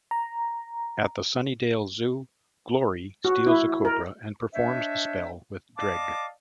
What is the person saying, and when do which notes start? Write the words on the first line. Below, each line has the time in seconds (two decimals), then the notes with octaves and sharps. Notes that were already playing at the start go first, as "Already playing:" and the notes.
At the Sunnydale Zoo, Glory steals a cobra and performs the spell with Dreg.
0.11 A#5
3.25 F#4
3.47 E4
3.85 A#4
4.54 D4 C5 C#5 D#5 E5
5.77 D5 D#5 F5 A5 D6